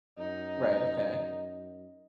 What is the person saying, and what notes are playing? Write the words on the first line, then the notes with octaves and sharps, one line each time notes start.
Right, okay.
F#2 D#4